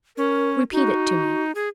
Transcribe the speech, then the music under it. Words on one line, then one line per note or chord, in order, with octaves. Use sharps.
"Repeat it to me."
C#4 A#4
D#4 F#4
G#4